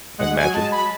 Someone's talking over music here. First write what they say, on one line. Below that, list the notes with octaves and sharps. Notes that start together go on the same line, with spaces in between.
I imagine.
G#3 F#5
G#3
G#5
F#3
G#3 A5
B5